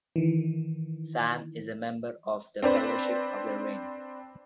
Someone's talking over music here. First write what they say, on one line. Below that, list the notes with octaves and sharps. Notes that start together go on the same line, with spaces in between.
Sam is a member of the Fellowship of the Ring.
D#3 E3
C4 D4 B4 C5